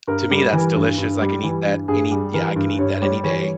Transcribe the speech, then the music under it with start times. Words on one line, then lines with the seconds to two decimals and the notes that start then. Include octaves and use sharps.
to me, that's delicious, I can eat that any Yeah, I can eat that any day,
0.07 G2 A#4
0.31 G3
0.53 E3
0.75 G2
0.98 G2
1.21 G3
1.44 E3
1.66 G2
1.88 G2 G#4
2.11 G3
2.34 E3 A#4
2.56 G2
2.79 G2 C#5
3.02 G3 C#5
3.24 E3 C#5